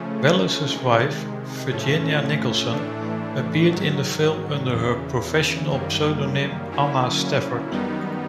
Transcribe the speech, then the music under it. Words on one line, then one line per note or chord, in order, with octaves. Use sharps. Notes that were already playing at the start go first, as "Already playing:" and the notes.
Welles's wife, Virginia Nicolson, appeared in the film under her professional pseudonym Anna Stafford.
Already playing: C#3 F3 A3 C#4
C3 D#3 G#3
A2 F3 A3 C#4
A2 E3 A3 D4
G#2 D#3 F#3
E2 C#3 E3
F#2 D#3 G3 A#3
D3 F#3 A#3 C#4 E4
F#2 D#3 G3 B3 D#4